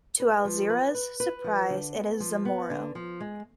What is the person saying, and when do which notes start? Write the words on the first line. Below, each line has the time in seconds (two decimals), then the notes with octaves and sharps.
To Alzira's surprise it is Zamoro.
0.20 B4
0.45 F3
0.70 B4
0.94 B4
1.20 B4
1.44 F3
1.70 D3
1.95 B3
2.20 F3
2.45 B3
2.70 D3
2.95 F3
3.20 G#3